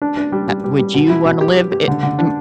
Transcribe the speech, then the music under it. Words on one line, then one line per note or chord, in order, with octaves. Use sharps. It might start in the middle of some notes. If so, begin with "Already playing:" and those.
Uh, would you wanna live i m
D4
D4
G3
G3
G3
G3
B2
E4
B2
G4
G4
G4
D3
D3
D4